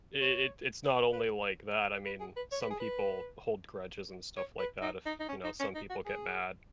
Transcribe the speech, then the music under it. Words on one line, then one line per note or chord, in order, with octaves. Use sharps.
i i it it's not only like that. I mean, some people hold grudges and stuff like that if, you know, some people get mad.
C#5
B4
B4
G#4
B4
C#5
B4
G#4
B4
C#5
B4
D#4
D#4
D#4
C#4
D#4
C#4
D#4
F#4
G#4